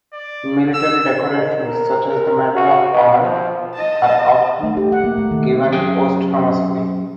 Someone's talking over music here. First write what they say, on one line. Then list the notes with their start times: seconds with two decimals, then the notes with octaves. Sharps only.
Military decorations, such as the Medal of Honor, are often given posthumously.
0.13 D5
0.74 E6
1.35 D#3
1.66 A#4
2.08 A#4
2.56 F#4
2.92 B2
3.21 F3
3.74 D#5 A5
4.63 A3
4.77 G4
4.92 F#5
5.04 A#3
5.18 A3
5.31 D#3
5.72 F#2 G#4 G5